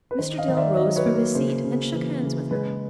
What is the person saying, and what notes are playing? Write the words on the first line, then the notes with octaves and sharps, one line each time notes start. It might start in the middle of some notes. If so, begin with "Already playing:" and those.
Mr. Dill rose from his seat and shook hands with her.
B4
D#3 C5
D#5 F5
D#3
D5 E5
F#3 C#5 D#5
B4 C#5
A#3
B4
C#3 C5
C#3
E3
C#3
G#3 B4